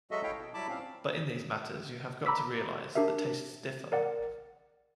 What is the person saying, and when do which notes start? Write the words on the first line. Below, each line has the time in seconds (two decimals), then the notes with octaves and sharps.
But in these matters you have got to realize that tastes differ.
0.11 F#3 G#3 F#4 A4 D#5 E5
0.23 E4 A4 C#5 F5 G5
0.36 B2
0.54 F#3 G3 E4 A5 B5 D6
0.68 A#2 C4 C#4 F5
2.26 A#5 B5 D6 E6 B6
2.95 D4 G4 A#4 E5
3.92 A#4 D5 F#5